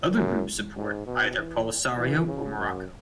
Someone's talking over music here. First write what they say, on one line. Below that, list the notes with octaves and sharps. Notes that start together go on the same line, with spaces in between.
Other groups support either Polisario or Morocco.
F#2
G#2
B2
E3
E3
C#3
F#2